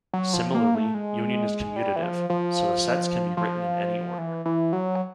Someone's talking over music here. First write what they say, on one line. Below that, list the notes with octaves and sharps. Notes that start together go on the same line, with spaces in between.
Similarly, union is commutative, so the sets can be written in any order.
F#3
F3
A#3
A3
G#3
G3
E3
F3
F3
F3
E3
E3
F#3